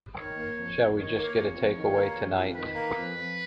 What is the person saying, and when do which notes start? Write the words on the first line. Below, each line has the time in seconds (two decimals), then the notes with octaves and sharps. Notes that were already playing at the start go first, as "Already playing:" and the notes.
Shall we just get a takeaway tonight?
0.17 D#3 C#5
0.37 A#3
0.57 F2
0.76 F2
0.96 D#3 C#5
1.17 A#3
1.36 F2
1.56 F2
1.76 D#3
1.95 A#3
2.16 F2
2.36 F2
2.56 D#3 B4
2.75 A#3
2.95 F2
3.15 F2